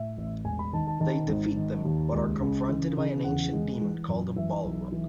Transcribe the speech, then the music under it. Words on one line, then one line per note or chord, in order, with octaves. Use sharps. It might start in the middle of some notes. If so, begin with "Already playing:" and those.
They defeat them, but are confronted by an ancient demon called a Balrog.
Already playing: A2 E5
A1
E1 G#5
B5
D#3 A5
A5
D#3 A5
G#1
D#3
D#2
C#2
C#3
E3
C#3
E2 F#5
G#3
E3
F#2
E3 E5
B1
E3